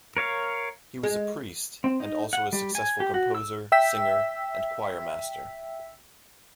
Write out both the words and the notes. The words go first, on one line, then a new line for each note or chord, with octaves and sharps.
He was a priest and also a successful composer, singer and choir master.
A#4 C#5 F5
G#3
C4
D#4
F#5
G3
G#5
G4
F#4
E6
E5 G5 E6 B6